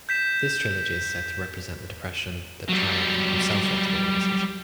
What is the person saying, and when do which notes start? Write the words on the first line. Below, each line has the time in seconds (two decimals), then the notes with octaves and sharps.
This trilogy is said to represent the depression that Trier himself experiences.
0.09 G6 B6 E7
2.68 F#3 G3